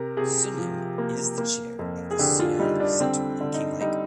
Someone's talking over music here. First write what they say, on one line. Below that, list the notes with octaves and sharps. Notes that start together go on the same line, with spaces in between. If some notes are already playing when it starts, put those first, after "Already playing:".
Sunim is the chair of the Seon Centre in Kinglake.
Already playing: C3 A#4
C3 G#4
F3
A#3
A#3
F2
G#4
D3 G4
F4
G3 D#4
D4
D3 C4
D3
D#4
G3 D#4